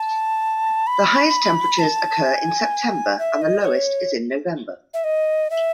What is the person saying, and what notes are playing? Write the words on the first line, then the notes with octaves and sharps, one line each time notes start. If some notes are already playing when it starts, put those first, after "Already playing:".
The highest temperatures occur in September and the lowest is in November.
Already playing: A5
B5
A5
G#5
E5
D#5
C#5
E5
D#5
E5